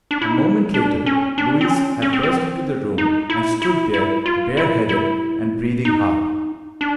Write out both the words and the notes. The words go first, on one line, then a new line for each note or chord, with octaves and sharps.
A moment later Louise had burst into the room and stood there bareheaded and breathing hard!
D4
E4
D#4
D4
C#4
D4
C4
C#4
C#4
C4
C4
D#4
E4
E4
E4
F4
E4
E4
D#4
D4